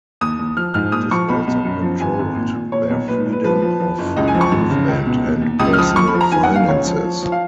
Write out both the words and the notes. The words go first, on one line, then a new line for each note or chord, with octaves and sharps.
It also controlled their freedom of movement and personal finances.
D#2 D#6
D#2
F3 F6
G#2 F6
A#2 D#6
F3 C#6
B1 B5
B1
F#2
F3
G#1 G#5
G#1
A#2
A#2
A#2 C#5
B1
A#2 B4
A#2
B4
F3 B4
F3
F3
F#1
C#2 D#5
G#5
F3
C#6
G#1
C#3
C#2
B2
D#2
D#2
C#2 D#6
F6
F3 D#6
D#2 C#6
B5
F3
A#5
D#3 G#5
F#5
D#2
F5
C#2 C#5
F3
F3
F3
F5